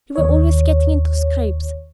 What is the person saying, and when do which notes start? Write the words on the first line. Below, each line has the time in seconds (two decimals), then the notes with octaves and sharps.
You were always getting into scrapes.
0.16 D#2 C#5